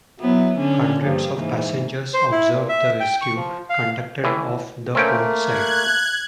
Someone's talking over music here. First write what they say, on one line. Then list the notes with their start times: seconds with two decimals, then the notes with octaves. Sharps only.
Hundreds of passengers observed the rescue, conducted off the port side.
0.20 F#3 B3 E4
0.58 D3 C#4 D4
1.04 G2 F3 A#3
1.36 G#2 E3 A#3
2.14 C5
2.32 E4
2.53 A#2
2.69 E5
3.00 G5
3.21 C#6
3.36 F3
3.69 F5
4.24 A2 E3
4.95 A3 A#3 C4 C#4 G5
5.42 F#6 G#6